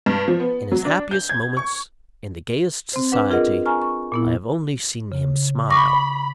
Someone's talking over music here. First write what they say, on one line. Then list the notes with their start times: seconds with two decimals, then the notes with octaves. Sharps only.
In his happiest moments, in the gayest society, I have only seen him smile.
0.06 G2
0.28 F3
0.40 B3
0.72 F#3
0.85 D4
1.11 G6
1.29 G#6
1.57 C#6
2.93 C4 C5
3.12 D4 B4 F#5
3.30 F4 G#4 A#4 D#5 F#5
3.66 G#5 A#5 C#6 F6
3.82 C#6
4.12 A#2 B3 E4
5.12 C#3
5.70 B5 C#6 D6 A#6